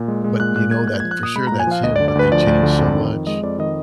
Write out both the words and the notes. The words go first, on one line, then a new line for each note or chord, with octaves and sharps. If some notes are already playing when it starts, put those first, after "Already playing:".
but you know that for sure that's him, but they changed so much.
Already playing: A#2
G#3
G#3
A#2 F#6
A#2 F#6
G#3 G#6
A#2 F#6
G#6
F3
F#6
A#2 D#6
G#3 B5
A#5
A#2
G#5
F3 F5
D2 D#5
D5
D3
D5
D2 B4
F3 D5
D2
D3
F2
D#3
F2
G#3 D#5
F2 D5
D#3 D#5